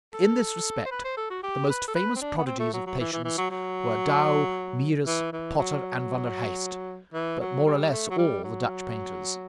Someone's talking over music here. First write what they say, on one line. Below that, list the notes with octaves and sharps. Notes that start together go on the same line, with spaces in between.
In this respect the most famous prodigies of patience were Dow, Mieris, Potter, and Van der Heist, but more or less all the Dutch painters.
A4
C5
B4
C5
A4
F#4
G4
B4
A4
B4
C4
D4
B3
C4
A3
F#3
F#3
E3
E3
E3
F#3
F#3
E3
E3
F#3
E3
F#3
G3
A3
F#3
G3
F#3